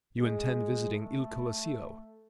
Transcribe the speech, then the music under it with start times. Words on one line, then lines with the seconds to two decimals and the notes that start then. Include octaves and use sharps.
"You intend visiting Il Colosseo."
0.18 G#3
0.91 A3